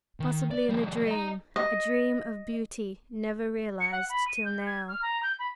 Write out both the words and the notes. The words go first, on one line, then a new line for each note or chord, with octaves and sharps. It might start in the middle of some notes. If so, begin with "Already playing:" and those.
"Possibly in a dream,--a dream of beauty never realized till now!"
D#3
D5
F3 G3
D#5 A#5
D#5
C#7
F#5
B5
D#7
G6
G#6
F6
A#5
G6
B5